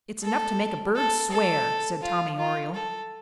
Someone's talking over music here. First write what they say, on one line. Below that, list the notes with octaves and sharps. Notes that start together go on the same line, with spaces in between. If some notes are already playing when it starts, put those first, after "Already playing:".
"It's enough to make a bird swear," said Tommy Oriole.
A4
A4
A4
F4
F4
A4